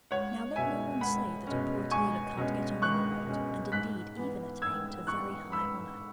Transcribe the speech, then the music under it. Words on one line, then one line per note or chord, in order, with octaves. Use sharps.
Now let no one say that a poor tailor can't get on in the world, and, indeed, even attain to very high honour.
C#2 C#5 F#5
B2 G#3 C#4 E5 G#5
C#2 F#5 B5
B2 G#3 C#4
C#2 G#5 C#6
B2 G#3 C#4
C#2 C#6 F#6
B2 G#3 C#4
G#2 F#6 B6
E3 B3
G#2 E6 G#6
E3 B3 C#6 F#6
G#2 B5 E6